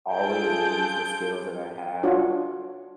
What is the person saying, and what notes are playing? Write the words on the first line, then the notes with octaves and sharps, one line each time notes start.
Always use the skills that I have
F4 G#4 A4 G6 D7
D4 F4 F#4 C#5